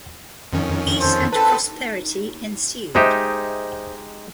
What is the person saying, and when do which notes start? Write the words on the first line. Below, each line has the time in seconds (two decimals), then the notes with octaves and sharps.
Peace and prosperity ensued.
0.53 F2 D#3 C#4
0.99 A4 C5
1.33 C4 A4 B4 A5
2.95 G#3 D#4 G4 C5 E5